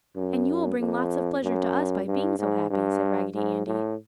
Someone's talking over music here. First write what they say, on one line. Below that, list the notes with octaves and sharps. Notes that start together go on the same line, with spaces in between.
"And you will bring lots of pleasure to us, by being so happy!" said Raggedy Andy.
F#2
F2
F#2
G2
G#2
G2
G#2
A2